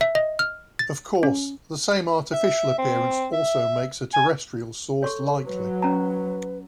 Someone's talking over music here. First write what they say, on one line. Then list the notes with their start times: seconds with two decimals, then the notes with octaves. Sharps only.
Of course, the same artificial appearance also makes a terrestrial source likely.
0.01 E5
0.15 D#5
0.39 F6
0.79 A6
1.23 C#4
2.33 E5
2.78 C4
3.33 E5
4.14 G#5
5.03 A4 C#5 C6 C#6
5.45 F#3 B4
5.82 C#4 A#5